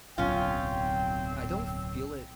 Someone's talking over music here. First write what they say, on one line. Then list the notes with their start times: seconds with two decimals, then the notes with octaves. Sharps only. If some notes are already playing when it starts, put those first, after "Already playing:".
I don't feel it
0.18 D1 B1 C4 C#4 F4 G5